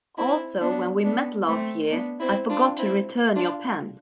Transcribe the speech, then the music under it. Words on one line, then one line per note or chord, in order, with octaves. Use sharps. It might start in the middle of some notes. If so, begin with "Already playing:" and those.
Also when we met last year, I forgot to return your pen.
C4 E4
B3 D4
B3 D4
A3 C4
B3 D4
C4 E4
D4 F4
C4 E4
D4 F4